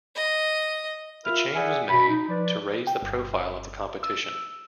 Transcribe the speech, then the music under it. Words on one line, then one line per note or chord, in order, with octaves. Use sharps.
The change was made to raise the profile of the competition.
D#5
F4 A#4 E5 B5 F6
G#4 D5 E5 F#5 G#5
B2 B5
D#4
F3 B4 D5
G5
G1
E6